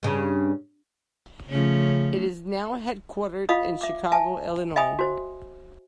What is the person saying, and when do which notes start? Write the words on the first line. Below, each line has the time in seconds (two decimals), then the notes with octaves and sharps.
It is now headquartered in Chicago, Illinois.
0.03 G2 C#3
1.49 C#3 F3 A3 C#4
3.49 F4 D#5 F5 B5 D#6
3.81 E5 D6
4.12 E5 G#5 A5
4.76 D#5 E5 G5 G#5 B5 D#6
4.99 F#4 C5